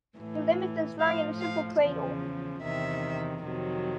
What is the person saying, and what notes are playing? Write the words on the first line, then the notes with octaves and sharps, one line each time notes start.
The limb is then slung in a simple cradle.
A2 E3
A2 F3 F5
F5
E2 C#3 F3
E2 C3 D#3 E5
F2 C3 D#3 F#3